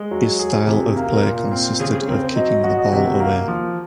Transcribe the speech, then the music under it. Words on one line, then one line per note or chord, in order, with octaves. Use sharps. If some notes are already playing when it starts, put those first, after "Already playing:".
His style of play consisted of kicking the ball away.
Already playing: G#3
F#3
G#4
C3 F4
F#4
A#3
A#4
A#2
C4
C#3 G#4
G#4
C4 A#4
C5
F#3 D#5
F#4
C3
A#3
F3